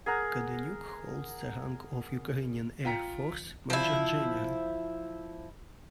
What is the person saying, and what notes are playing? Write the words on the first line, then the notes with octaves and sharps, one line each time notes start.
Kadeniuk holds the rank of Ukrainian Air Force Major General.
G#4 A#4 F#5 A#5
F4 G5 A#5 B6 C#7
F3 E4